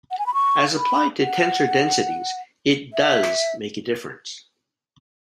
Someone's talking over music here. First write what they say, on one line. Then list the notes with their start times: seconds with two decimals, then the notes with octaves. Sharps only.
As applied to tensor densities, it "does" make a difference.
0.11 F#5
0.19 G#5
0.26 B5
0.34 C#6
0.77 B5
1.20 F#5
2.93 E5